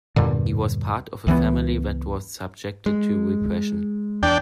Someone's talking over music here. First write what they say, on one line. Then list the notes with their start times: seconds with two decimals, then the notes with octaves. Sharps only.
He was part of a family that was subjected to repression.
0.16 E2 G2 A#2 D3
1.27 C#2 E3 F#3 B3
2.86 G#3
4.23 E2 D4 G5